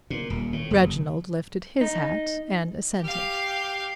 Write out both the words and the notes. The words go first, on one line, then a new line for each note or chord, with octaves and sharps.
Reginald lifted his hat and assented.
A#2
D#1
A2
F#1
D#4
G4 F5